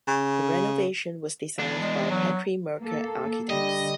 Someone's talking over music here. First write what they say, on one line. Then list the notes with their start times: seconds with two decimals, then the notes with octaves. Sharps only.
The renovation was designed by Patri Merker Architects.
0.08 C#3
1.59 E2 D4
1.81 G#3
2.10 F#3
2.80 A#3 A4
3.50 D3 G3 D#5